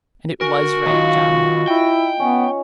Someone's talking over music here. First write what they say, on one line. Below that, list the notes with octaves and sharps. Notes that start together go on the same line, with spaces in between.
And it WAS right, John!
F#4 A#4 G#5
D#3 F#3 D#4 F4
E4 G5
B3 C#4 C#5